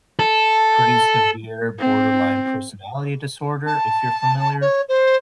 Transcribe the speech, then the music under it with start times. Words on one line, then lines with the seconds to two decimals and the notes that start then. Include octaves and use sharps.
pretty severe borderline personality disorder, if you're familiar,
0.19 A4
1.79 C4
3.66 A5
4.61 C#5
4.88 C5